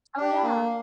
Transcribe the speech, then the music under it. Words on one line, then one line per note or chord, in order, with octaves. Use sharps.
Oh, yeah.
D4 G4
A#3